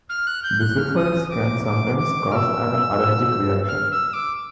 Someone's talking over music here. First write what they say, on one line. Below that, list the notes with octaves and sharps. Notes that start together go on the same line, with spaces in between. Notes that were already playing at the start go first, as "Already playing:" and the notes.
Bisulfites can sometimes cause an allergic reaction.
F6
F#6
G6
F#6
F6
D#6
D6
D6
D6
F6
E6
F6
E6
D6